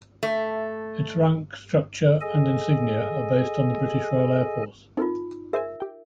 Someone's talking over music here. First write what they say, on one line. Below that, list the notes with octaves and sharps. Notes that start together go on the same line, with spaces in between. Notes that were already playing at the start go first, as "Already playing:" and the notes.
Its rank structure and insignia are based on the British Royal Air Force.
A3
G#4 A4 D#5 G#5
C4 D#4 F4 A4 A#4
G#4 A#4 C5 E5 G#5
G4 G5